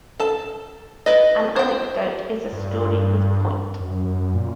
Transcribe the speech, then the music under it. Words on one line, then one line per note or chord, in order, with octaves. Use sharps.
An anecdote is a story with a point.
A4 A5
E4 B4 D#5
C5 G5
G2
F#2
F#2
A#2